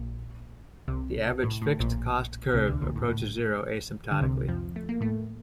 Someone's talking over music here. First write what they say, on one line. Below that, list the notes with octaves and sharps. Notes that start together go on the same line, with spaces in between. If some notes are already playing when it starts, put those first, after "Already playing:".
The Average Fixed Cost curve approaches zero asymptotically.
Already playing: A#1 A#2
C2 C3
A2
A2
A#1 A#2
C2 C3
D2 D3
A#1 A#2
A2
A2
D3
C2 C3
F2 F3
A3
A#3
A2 A3